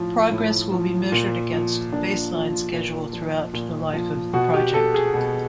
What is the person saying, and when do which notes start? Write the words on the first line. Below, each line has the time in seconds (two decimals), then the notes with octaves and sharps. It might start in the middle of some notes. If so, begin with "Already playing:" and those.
Progress will be measured against the baseline schedule throughout the life of the project.
Already playing: A2 F3
0.31 A2
0.72 F3
1.12 A#2
1.52 F3
1.92 A#2 D4
2.33 F3
2.73 A#2
3.13 F3
3.53 A#2
3.93 F3
4.33 B2 F#4
4.54 G4
4.74 A4
4.94 G#4
5.14 B2